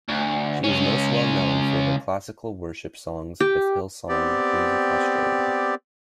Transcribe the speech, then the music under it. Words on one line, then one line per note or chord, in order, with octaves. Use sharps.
She is most well known for her classical worship songs with Hillsong Music Australia.
D2
C#2 C#4
G4
B3 C4 G4 D5